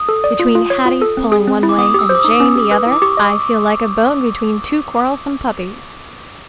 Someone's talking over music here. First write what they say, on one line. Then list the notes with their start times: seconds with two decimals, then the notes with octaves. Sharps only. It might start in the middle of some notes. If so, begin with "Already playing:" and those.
Between Hattie's pulling one way and Jane the other, I feel like a bone between two quarrelsome puppies.
Already playing: D#6
0.09 A4
0.24 D5
0.39 F4
0.55 F4
0.70 C#5
0.85 F4
1.02 A4
1.17 C4
1.32 G#4
1.47 C4
1.63 E4
1.69 D6
1.78 B3 D#6
1.94 G4 E6
2.09 C5
2.15 D6
2.19 D#6
2.24 D#4
2.40 C#4
2.55 G4
2.71 B4
2.86 E4
2.92 D6
3.02 G4 C#6
3.17 D#5